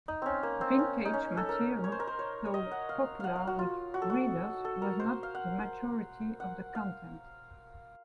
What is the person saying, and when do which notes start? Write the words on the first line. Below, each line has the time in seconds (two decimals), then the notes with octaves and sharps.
Vintage material, though popular with readers, was not the majority of the content.
0.08 D#4
0.22 C4 C#4
0.43 A#3
0.61 C4
0.79 C#4
1.05 D#4
1.13 C#4
1.37 A4
1.49 A#4
1.84 C#5
1.92 C5
2.00 A#4
2.07 C5
2.19 C#5
2.46 C#5
2.54 D#5
2.72 F#5
2.89 F5
3.20 F5 F#5
3.36 F5
3.47 F#4
3.59 F4
3.94 F#4
4.02 A4
4.10 F#4
4.65 A4
4.82 A#4
5.00 C5
5.23 F5
5.35 F#5
6.40 F#5
6.75 F5